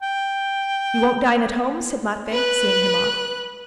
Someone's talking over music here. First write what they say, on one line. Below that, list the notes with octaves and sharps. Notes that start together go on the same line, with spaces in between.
"You won't dine at home?" said Matvey, seeing him off.
G5
B4 F#6